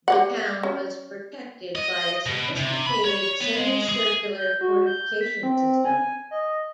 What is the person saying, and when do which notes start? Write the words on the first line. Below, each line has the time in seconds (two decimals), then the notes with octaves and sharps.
The town was protected by a sophisticated semicircular fortification system.
0.08 G4 D5 F#5
0.63 C#4
1.75 D#5
2.26 B2
2.57 C3
2.86 B5
3.05 C#5
3.40 B3
3.56 G#3
3.89 G#4
4.37 G6
4.61 F#4
4.86 G6
5.21 B6
5.43 C4
5.85 G#5
6.31 D#5